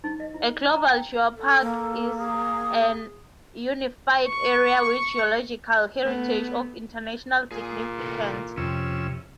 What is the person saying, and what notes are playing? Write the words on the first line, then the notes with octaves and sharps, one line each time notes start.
A "Global Geopark" is a unified area with geological heritage of international significance.
D#4
D#5
E4
A#5
G5
A4
A#3
G#4
C#6
A3 B3
A#2 G#4
C3 E3 A4
F2 C3 C#4 E6